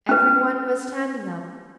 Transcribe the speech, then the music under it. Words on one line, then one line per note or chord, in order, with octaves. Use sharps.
Everyone was standing up.
C#4 B4